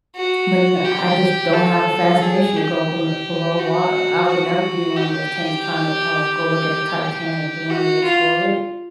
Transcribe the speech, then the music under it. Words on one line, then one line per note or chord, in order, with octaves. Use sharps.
But, you know, I just don't have a fascination to go bel below water. I would never be in one of those tanks trying to, uh, go look at the Titanic- the one that exploded.
F#4
G4
A4
G#4
G4
F#4
F#4
G4
G4
F#4
F4